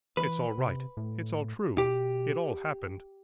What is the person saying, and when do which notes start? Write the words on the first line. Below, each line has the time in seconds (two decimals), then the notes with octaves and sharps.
It's all right, it's all true, it all happened.
0.17 E3 B4
0.58 C3
0.97 A2
1.78 B2 G4